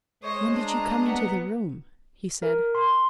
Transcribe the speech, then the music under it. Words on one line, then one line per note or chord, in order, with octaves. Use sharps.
"When did you come into the room?" he said.
G#3 C5 C#5 D#5
D4 D#5 A#5
B3
A#4
C6